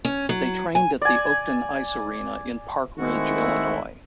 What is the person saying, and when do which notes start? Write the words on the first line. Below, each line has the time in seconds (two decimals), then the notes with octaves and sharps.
They trained at the Oakton Ice Arena in Park Ridge, Illinois.
0.05 C#4
0.29 F#3
0.75 G#5
1.01 D5 G#5
2.99 D#3 G#3 A3 C4 E4 F#4